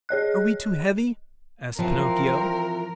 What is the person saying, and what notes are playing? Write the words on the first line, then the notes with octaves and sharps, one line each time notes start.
"Are we too heavy?" asked Pinocchio.
G#4 C#5 D#5 F#6
E3 F3 C4 A#4